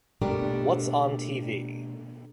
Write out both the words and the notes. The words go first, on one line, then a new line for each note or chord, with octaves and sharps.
What’s on T V?
B2 A3 D4 G4 A4 A#4